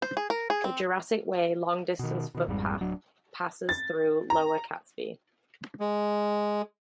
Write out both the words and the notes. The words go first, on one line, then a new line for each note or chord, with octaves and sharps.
The Jurassic Way long-distance footpath passes through Lower Catesby.
C5
G#4
A#4
G#4
C4
B2 D#3
B2 D#3
G#1 F2 G#2 G3
D1 F#3 D4
A6
A#5
G#3